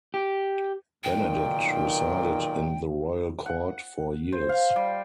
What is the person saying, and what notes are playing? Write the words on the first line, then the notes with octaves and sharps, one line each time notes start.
Benedict resided in the royal court for years.
G4
B1 A#2 D#3 G5
F#5
C5
F5
G3